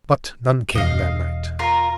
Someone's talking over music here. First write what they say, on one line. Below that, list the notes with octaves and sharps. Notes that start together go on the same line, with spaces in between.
But none came that night.
E1 D#5 F5
F4 A#4 A#5